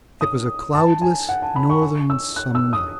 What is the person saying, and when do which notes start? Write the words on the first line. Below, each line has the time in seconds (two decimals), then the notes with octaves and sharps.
It was a cloudless, northern, summer night.
0.21 D#6
0.75 A5
1.01 G#5
1.29 F#5
1.42 A5
1.56 B5
1.70 C#6
1.82 C#6
2.10 E6
2.36 F#6
2.55 E6
2.73 D#6